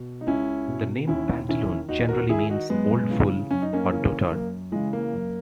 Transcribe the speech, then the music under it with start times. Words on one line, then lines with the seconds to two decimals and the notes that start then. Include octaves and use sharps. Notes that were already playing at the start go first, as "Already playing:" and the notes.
The name Pantaloon generally means "old fool" or "dotard".
Already playing: B2
0.21 D#4
0.27 C#2 C#4 E4
0.68 B2
1.08 D#2 C#4 E4
1.49 D#3 C#4 E4
1.88 D#2 D#4 F#4
2.09 F#4 A#4
2.29 D#3 E4 G#4
2.50 D#4 F#4
2.70 F#2 G#3 B3
3.10 C#3 E3
3.51 F#2 C#4
3.62 D#4
3.73 A#3 C#4
3.92 C#3 E3
4.31 F#2 A#3
4.72 C#3 E3 G#3
4.93 A#3
5.13 F#2